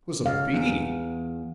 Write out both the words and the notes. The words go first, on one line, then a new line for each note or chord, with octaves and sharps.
It was a bee.
C#2 F5
E2